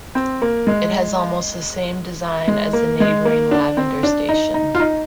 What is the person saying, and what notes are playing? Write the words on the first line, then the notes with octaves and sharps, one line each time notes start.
It has almost the same design as the neighbouring Lavender station.
C4
A#3
G#3
G#3
A#3
G#3
A#3
D4
C4
D4
D#4
D#4
F4
D#4